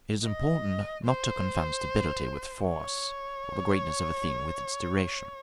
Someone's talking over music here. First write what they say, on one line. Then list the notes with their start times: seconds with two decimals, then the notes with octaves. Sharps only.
It is important not to confound stability with force, or the greatness of a thing with its duration.
0.24 D#5
1.05 C5
2.69 C#5